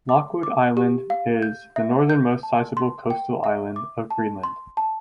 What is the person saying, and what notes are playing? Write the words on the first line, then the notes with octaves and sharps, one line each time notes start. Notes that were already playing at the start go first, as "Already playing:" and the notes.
Lockwood Island is the northernmost sizeable coastal island of Greenland.
D6
D6
G4
F5
G6
E5
G6
A5
C6
G5
E5
D6
A5
C6
A5